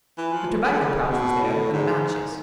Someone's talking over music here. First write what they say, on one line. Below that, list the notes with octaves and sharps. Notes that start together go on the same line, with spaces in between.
The tobacco-pouch was there, and the matches.
E3
F3
C#3
D3
C#3
B2
A2
G#2